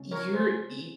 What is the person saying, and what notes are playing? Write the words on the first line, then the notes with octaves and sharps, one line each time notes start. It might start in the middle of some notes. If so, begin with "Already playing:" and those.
you're y
Already playing: C#3 G#3 C#4
A#4 C#5
G#4 C5